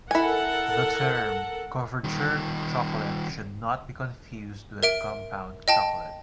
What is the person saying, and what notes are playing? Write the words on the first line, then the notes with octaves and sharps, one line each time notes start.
The term "couverture chocolate" should not be confused with compound chocolate.
E4 A4 A#4 F#5 G#5
D#3 G3
A#4 E5 D7
D#5 G5 A5